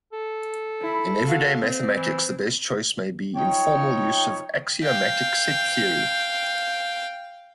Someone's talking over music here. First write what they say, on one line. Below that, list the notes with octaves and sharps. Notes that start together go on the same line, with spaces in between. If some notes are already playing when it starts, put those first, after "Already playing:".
In everyday mathematics the best choice may be informal use of axiomatic set theory.
A4
E4 B5
F#4 F5
C4
E3
F3 D#4 C#5 G5
F5 G5